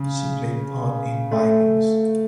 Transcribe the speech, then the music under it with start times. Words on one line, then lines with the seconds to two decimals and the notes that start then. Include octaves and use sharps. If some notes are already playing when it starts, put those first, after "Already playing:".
She played Aud in "Vikings".
Already playing: C#3
1.31 A3